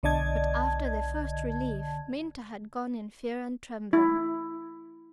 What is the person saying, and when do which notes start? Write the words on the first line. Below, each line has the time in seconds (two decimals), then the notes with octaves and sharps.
But after the first relief Minta had gone in fear and trembling.
0.03 B1 D3 D5 D#5 A5 G#6
3.93 E4